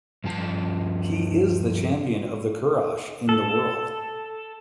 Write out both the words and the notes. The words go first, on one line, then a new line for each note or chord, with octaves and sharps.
He is the champion of the Kurash in the world.
G2 F3 G#5 A5
A4